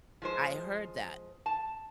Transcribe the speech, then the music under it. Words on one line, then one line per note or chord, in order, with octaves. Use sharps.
I heard that,
F3 G#3 C5
A5